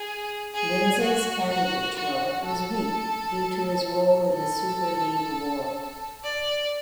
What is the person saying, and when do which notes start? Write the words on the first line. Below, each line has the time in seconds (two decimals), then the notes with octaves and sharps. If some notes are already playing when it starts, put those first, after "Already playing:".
Lindsay's candidature was weak due to his role in the Super League war.
Already playing: G#4
0.55 G#4
1.02 F#4
1.50 F#4
1.96 F#4
2.45 A4
4.33 A4
6.24 D5